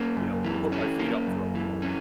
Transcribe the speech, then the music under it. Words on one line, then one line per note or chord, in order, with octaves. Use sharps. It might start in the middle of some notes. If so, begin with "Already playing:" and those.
you know, put my feet up for a little while.
Already playing: A#3 C#4
F#2
E3
C#4
A#3
F#2
E3
C#4